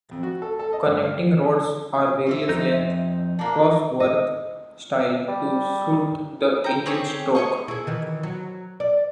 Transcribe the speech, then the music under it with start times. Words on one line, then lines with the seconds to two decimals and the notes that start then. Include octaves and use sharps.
Connecting rods are various length, Cosworth style, to suit the engine stroke.
0.11 F2
0.23 F#4
0.42 A4
0.59 A4
0.73 D#5
0.86 G2
1.02 F5
2.27 C5 D5 E5
2.49 F2 D#4
3.39 A#3 D4
4.00 D#5
5.28 G3
6.64 G5 A#5
6.86 C4 G4 G#4 C#5
7.35 C#5 D#5 C#6
7.68 E4 G#4
7.87 D#3 E3
8.23 F#3
8.80 D5